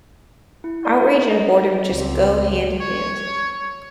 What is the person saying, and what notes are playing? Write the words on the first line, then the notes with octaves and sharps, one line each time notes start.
Outrage and boredom just go hand in hand.
E4
D5
D#4
D#5
C#2 C4
C#5